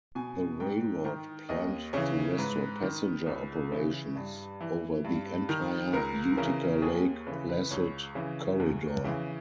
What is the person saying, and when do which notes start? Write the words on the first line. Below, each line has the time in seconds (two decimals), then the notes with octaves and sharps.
The railroad planned to restore passenger operations over the entire Utica-Lake Placid corridor.
0.15 B2 G#5
0.60 G#2 G5
1.05 D#3
1.49 D#2 D#5
1.93 C#3 E3 C#5
2.38 G#2 B4
2.82 D#3
3.26 C#2
3.72 C#3 E3
4.16 G2
4.61 E3
5.05 G2
5.49 D#3
5.93 C#2 A#4
6.37 C#3 E3 A#4
6.82 D#2 G#4
7.27 C#3 E3 B4
7.49 B4
7.71 C#2 C#5
8.15 C#3 E3
8.60 E2
9.04 C#3 E3